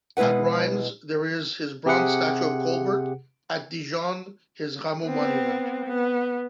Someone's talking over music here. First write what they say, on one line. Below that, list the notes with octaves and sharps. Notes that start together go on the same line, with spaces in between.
At Reims there is his bronze statue of "Colbert", at Dijon his "Rameau" monument.
B2 G#3 E4 B4 F#5
C3 G4 G#4 F#5 C#7
B3 C4
B3